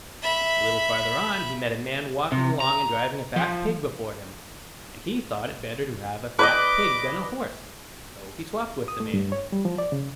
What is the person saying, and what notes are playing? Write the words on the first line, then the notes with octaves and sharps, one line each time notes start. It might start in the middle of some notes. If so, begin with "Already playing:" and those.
A little farther on he met a man walking along and driving a fat pig before him, and he thought it better to have a fat pig than a horse, so he swopped with the man.
E5 B5
C3
A#5
F3
B4 D5 D#5 D6
D#6
A3
G2
C#5
G3
F3
D5
C#3